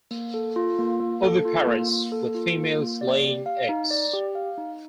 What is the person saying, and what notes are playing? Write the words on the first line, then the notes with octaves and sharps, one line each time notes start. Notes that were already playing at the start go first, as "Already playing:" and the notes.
Oviparous, with females laying eggs.
A#3
A4
F4
A#3
A#3
A4
F4
A#3
A#3
A4
F4
A#3
A#3
D5
G4
F5
D#4
D5
G4
F5
D#4